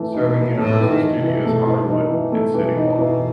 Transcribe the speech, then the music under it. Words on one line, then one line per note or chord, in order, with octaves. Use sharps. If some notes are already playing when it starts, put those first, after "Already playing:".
Serving Universal Studios Hollywood and City Walk.
Already playing: E3 A3
B2 D#4
E3
A2 A3
E3
D#3
D#4
C3
E3
B2 A3
E3
D#4
E3
B2 A3
E3
D#4
E3